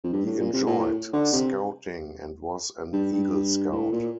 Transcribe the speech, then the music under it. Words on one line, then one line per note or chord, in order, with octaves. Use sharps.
He enjoyed Scouting and was an Eagle Scout.
F2
G2
A2
A#2
C3
A#2
A2
D3
C3
G2
G2
A2
A#2